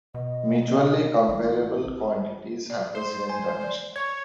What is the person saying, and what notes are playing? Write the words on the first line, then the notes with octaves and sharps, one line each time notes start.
Mutually comparable quantities have the same dimensionality.
B2 D#5
A1 E4
D5
C5
G#5
D5
C#5 G#6